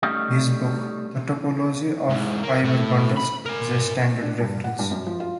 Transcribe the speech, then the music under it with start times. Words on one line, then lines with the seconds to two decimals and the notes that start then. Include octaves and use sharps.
His book "The Topology of Fibre Bundles" is a standard reference.
0.03 G3 A3 C#4 D#4 G4 D#5
2.09 G#2 E3
2.43 A#3
2.64 A2 A3
3.17 B5
3.46 A#4 G#5
4.22 D4
4.40 G2
4.64 F#5
4.79 G2
4.91 F#2
5.07 F3
5.20 F4